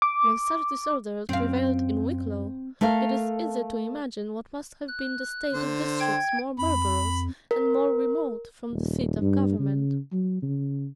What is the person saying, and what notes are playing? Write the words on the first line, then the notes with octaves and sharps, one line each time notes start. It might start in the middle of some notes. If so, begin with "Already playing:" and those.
When such disorder prevailed in Wicklow, it is easy to imagine what must have been the state of districts more barbarous and more remote from the seat of government.
D6
F#2 C4 F5
A3 A4 A#4 F5
F#6
D3 C5
G5 G#6
F2 B5
A#4
D#1
G2
C#3
F#3
C#3